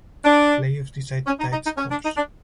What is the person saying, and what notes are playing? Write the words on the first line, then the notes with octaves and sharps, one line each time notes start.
Playoffs decide tied scores.
D4
C#4
D#4
D#4
D#4
C#4
D4
D#4
D4